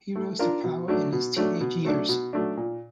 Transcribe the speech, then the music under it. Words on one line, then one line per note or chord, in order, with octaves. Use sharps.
He rose to power in his teenage years.
A3
D4 F4 A#4
B2
F#3 A3 D4
B2
F#3 A3 D4
B2
F#3 A3 D4
B2
F#3 A3 D4
A#2